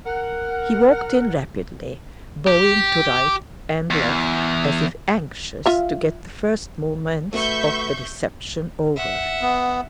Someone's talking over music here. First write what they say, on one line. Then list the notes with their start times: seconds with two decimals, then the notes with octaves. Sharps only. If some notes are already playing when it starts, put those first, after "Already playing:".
He walked in rapidly, bowing to right and left as if anxious to get the first moments of the reception over.
0.06 A#4 F#5
2.48 G4
3.91 E2
5.66 F4 E5 F5
7.33 A3 F#4 B4 E5 C#6 G6
8.96 E5 F#5
9.41 B3